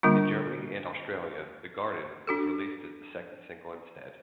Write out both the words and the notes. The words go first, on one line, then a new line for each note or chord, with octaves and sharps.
In Germany and Australia, "The Garden" was released as the second single instead.
D3 G3 A#3 D4 F4
D4 F#4 A4